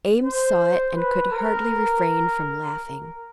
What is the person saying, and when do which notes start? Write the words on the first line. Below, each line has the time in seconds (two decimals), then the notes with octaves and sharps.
Eames saw it, and could hardly refrain from laughing.
0.24 C5
0.95 B4
1.31 A#4